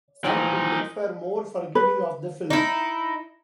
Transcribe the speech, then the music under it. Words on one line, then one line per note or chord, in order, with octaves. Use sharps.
Some critics were more forgiving of the film.
A#2 E3 F3 D#4 F4
B4
D#4 E4